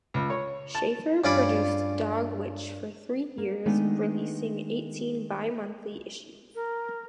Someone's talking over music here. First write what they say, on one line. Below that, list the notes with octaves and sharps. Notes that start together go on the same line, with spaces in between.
Schaffer produced Dogwitch for three years, releasing eighteen bi-monthly issues.
C#2
C#5
A5
G2 C#4 F4 D5 B5
A#3
D#3 G#3 A3 B3 D4 D#4
A#4